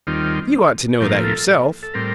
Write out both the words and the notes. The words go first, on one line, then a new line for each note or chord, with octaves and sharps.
You ought to know that yourself.
D#2 D#3 G3 C4 F4
A2 F3 A#3 G4
A4
A4
A2 G3 C4 A#4